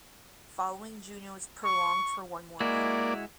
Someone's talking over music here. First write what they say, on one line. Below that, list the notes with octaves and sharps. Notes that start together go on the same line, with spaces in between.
Following June it was prolonged for one more year.
C#6
G#3 A#3 E4 F#4 D5